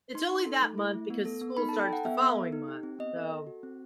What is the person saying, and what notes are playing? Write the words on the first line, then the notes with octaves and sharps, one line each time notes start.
it's only that month because school starts the following month, so
D#4 C6
D#4
A4
A3
E4
A3
B3
A4
B3
D#4 B5
A5
A4
G5
A4 F#5
B3 E5
B3
A4
D#4
G4
C4
B3 D#5
A4
A4
F#4
C4